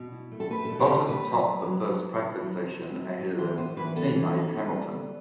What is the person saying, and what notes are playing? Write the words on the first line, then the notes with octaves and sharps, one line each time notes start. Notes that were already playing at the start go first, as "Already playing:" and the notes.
Bottas topped the first practice session ahead of teammate Hamilton.
Already playing: B2
E4
A3
A4
A3 B4
A4
B2
G4
B2
A3 B4
F#3
F#3
F#3
F#3
E4
E4
F#3
C4
C4
F#3
F#3
E3 C5
B3 C5
E3 B4
B4
B3 A4
E3
D#4
B3
G3
B3